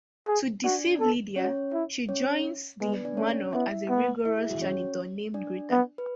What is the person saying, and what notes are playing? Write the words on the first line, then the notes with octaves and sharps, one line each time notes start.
To deceive Lidia, she joins the manor as a "rigorous" janitor named Greta.
G#4
D4 F#4 D5
A4
C#4 F#4 C#5
E4
C#4 C#5
G#3 B3 B4
D4 D5
D4 D5
A3 C#4 C#5
B3 E4 E5
B3
E4 E5
G#4
F#4
C#4 C#5
D4 D5
B3
B4